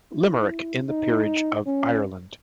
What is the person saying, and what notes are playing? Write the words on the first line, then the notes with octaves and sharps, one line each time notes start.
Limerick, in the peerage of Ireland.
E4
D#4
C#4